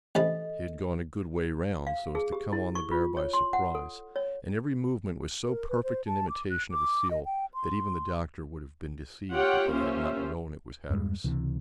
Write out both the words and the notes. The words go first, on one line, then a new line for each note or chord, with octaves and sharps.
He had gone a good way round, so as to come on the bear by surprise, and every movement was so perfect an imitation of a seal, that even the Doctor would have been deceived if he had not known it was Hatteras.
A1 C3 A4 D#5 B5
F5
G#4
G4
E4
C#6
F4
C#5
C6
F#5
A4
C#5
A#4
B4
C5
A5
D6
F#6
D6
D#5
G5
C6
F4 G4 C#5 F#5 G5
A#3 C#4 F4 G4 C5 E5
E2 G2 G3 G#3
C#2 C3 E3